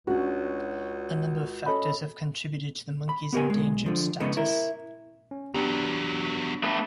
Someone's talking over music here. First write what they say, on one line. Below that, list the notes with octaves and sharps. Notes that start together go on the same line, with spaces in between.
A number of factors have contributed to the monkey's endangered status.
C#2 C#4 D4 F#4
C#4 A4 D#5 B5
B5
B3 G4 A#4 G#5
B1 G#3
D3 F3
C#3 G#3 B3 D#4 A4
E4 A#4
C#4
E2 F#3 B3 D4 G4 A#5
A3 B4